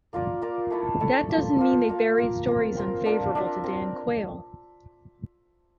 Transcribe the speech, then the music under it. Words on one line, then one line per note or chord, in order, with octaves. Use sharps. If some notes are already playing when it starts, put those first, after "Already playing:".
That doesn't mean they buried stories unfavorable to Dan Quayle.
A#3 F4 A#4 D5
A#3 F4 A#4 D5
A3 E4 A4
A3 E4 A4
A#3 F4 A4
A#3 F4 A4
A#3 F4 A#4 F5
A#3 F4 A#4 F5
C4 F4 A#4
C4 F4 A#4
D4 F4 A#4 E5
D4 F4 A#4 E5
C4 A#4